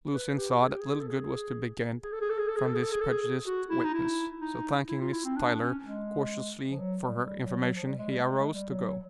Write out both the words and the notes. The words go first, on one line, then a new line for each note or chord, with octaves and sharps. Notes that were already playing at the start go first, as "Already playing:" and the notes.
Lucian saw that little good was to be gained from this prejudiced witness, so thanking Miss Tyler courteously for her information, he arose to go.
B4
G4
G#4
G4
G#4
A4
G#4
G#4
A4
G#4
A4
G#4
A4
G#4
A4
G#4
A4
G#4
A4
G#4
F#4
E4
D#4
E4
D#4
E4
F4
E4
C4
D4
D4
C#4
G#3
F3
F#3
G3
G3
F#3
F#3
F3
G3
G#3
G3
A3
G#3
G#3
G3
F#3
F#3